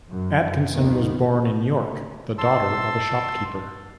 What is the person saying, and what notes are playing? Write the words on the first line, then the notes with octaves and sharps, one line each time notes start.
Atkinson was born in York, the daughter of a shopkeeper.
F#2
D#2 G#2 D#3 F3 B3
A5 C6 E6